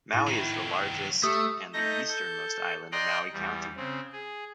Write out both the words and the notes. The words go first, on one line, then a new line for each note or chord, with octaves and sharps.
Maui is the largest and the easternmost island of Maui County.
A2 D#4 E4
D#3 F#3 B3 C5
A3 G4 D#6
A3 D#4 D#5 G6 A#6
A4 G6
D5 D#5 G5 A#5 C6 F#6
E2 G3
C#3 C4
G#4